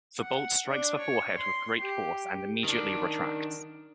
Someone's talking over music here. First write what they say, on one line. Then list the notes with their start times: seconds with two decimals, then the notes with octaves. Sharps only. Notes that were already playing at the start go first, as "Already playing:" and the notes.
The bolt strikes the forehead with great force and immediately retracts.
0.20 F#5
0.66 D4
0.98 C#5
1.37 C6
1.80 G4
2.64 D#3 D4